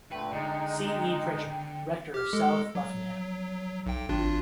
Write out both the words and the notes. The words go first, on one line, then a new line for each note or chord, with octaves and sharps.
C. E. Prichard, Rector of South Luffenham.
A#2 D3 A3 B4 G5
D3 G#3 D#4
G4 F6
G#3 A4
F#3
B1 G5
G#1 D4 F4